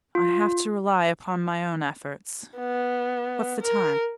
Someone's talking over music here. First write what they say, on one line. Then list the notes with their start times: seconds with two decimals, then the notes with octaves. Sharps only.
I have to rely upon my own efforts. What's the time?
0.15 F4
2.57 B3
3.61 A#4